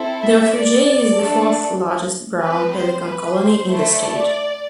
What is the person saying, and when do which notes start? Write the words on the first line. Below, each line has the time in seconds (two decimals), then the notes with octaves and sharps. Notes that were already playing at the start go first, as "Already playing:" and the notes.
The refuge is the fourth largest brown pelican colony in the state.
Already playing: C4 E4 A4
0.22 E5
0.53 D5
1.16 A3 D4 A4
2.42 C4 G4 B4
2.74 C5
3.05 B4
3.37 C5
3.68 A3 E4 A4
4.00 D5